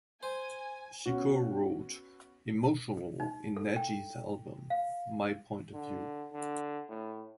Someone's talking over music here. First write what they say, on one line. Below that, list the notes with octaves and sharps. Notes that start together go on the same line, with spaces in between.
She co-wrote "Emotional" in Najee's album "My Point of View".
C5 G#5
B3 C#4 F#4
D#4
A4
G5
F5
D3
D3
A2